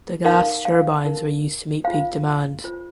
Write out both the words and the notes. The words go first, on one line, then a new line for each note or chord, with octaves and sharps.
The gas turbines were used to meet peak demand.
D#4 A#4 F5
F5
D#4 A#4
F4 C5 F5
F4 C5